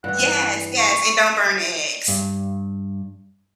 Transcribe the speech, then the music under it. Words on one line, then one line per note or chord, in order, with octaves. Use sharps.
Yes, yes, and don't burn the eggs.
G2 E3 F#5
C#6
G2